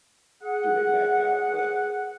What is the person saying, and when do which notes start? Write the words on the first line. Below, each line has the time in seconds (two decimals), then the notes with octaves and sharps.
threw they back out, but,
0.42 G#4 F#5